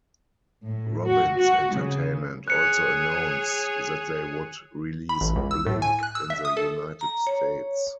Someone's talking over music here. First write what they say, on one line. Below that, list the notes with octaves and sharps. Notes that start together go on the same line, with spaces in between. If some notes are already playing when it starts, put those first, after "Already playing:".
Robbins Entertainment also announced that they would release "Blink" in the United States.
A2
F#4
F#4
C#3
G#4 C#5 F#6 C#7
B5
A1
C#2
E6
A2
G#5
F#6
E6
E5
D#6
A4
A#5
C#5